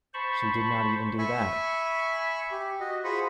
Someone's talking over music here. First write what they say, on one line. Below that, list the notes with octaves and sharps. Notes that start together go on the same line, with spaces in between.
She did not even do that!
C5 A5 B5 C#6
E5 G#5 B5 C#6
G4
F#4 D#5
F4 G#4 C5 B5 C#6 D#6